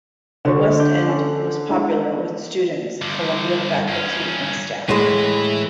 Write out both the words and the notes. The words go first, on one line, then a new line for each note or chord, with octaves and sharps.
The West End was popular with students, Columbia faculty and staff.
D3 C5 C#6
D4 D6 G6
C#4 A4
G#3 D4 E4
G2 D3
G2 C#4
A2 E3 G#3 B4